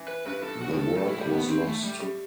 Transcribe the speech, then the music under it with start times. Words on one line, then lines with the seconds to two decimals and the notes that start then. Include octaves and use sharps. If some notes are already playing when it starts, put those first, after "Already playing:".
The work was lost.
Already playing: E3
0.08 B4
0.26 G2 B4
0.43 A4
0.61 F#4
0.73 B4
0.79 A4
0.96 A2 A4
1.08 E4
1.20 G3
1.32 B3
1.49 C4
1.62 G3
1.67 A3
1.84 G3
2.02 G3